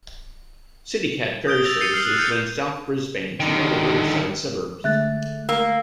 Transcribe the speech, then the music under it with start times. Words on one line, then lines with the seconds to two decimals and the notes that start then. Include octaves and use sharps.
CityCat ferry services link South Brisbane to other riverside suburbs.
1.47 D#6 G6 D7 G7
1.65 E6 A6 A#6 F7
1.81 A6 C7 C#7 D#7
1.94 F6 G6 C7 F#7
2.05 F#6
2.18 F6 G6 A6 C#7 D#7
3.40 D3 D#3
4.84 D3 G#3 A3 E5 F#6 A6
5.49 A#3 E6